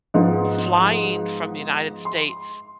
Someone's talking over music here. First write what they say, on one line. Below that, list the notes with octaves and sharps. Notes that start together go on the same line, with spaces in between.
flying from the United States
G#2 F3 G#3 B3
C6